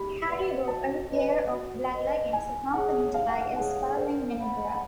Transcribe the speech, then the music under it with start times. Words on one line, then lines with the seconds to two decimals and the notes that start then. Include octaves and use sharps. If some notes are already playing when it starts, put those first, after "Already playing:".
Carey wore a pair of black leggings, accompanied by a sparkling mini-bra.
Already playing: G4 B5
0.26 B4 D5 F#5
0.67 F#4 A5
1.08 B4 D#5
1.50 F#4
1.91 B4 D#5
2.32 E4 G#5
2.74 G#4 C#5 F#5
3.14 E4 F5
3.29 F#5
3.41 F5
3.56 G#4 C#5 F#5
3.97 A#4 C5
4.39 D5 F#5 B5